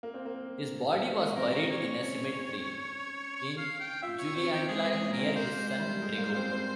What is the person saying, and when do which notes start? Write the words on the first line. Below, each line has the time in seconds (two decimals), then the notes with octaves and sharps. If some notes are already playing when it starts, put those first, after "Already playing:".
His body was buried in a cemetery in Juliantla near his son Trigo.
0.03 A#3
0.14 C4
0.25 A#3
1.15 G#3
1.26 A#3
1.36 C4 A#4
1.70 C#5
2.03 C#4
3.36 C#5
3.58 F5
3.80 G5
4.02 F4 E5
4.19 C#5
4.36 C4 C#5
4.52 G4
4.68 G#3 G#4
4.85 G#3
4.90 G#4
5.02 C#4
5.13 A#4
5.19 C4
5.35 A#3 C5
5.57 G#3
5.69 C5
5.79 G3
6.02 G#3
6.18 A#3
6.35 C4
6.52 C4